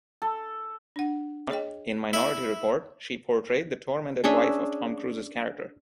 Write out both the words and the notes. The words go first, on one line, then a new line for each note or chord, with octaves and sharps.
In "Minority Report", she portrayed the tormented wife of Tom Cruise's character.
A4
D4 F#5
G#4 C#5 D#5 G5
E4
C#4 D4 G#4 E5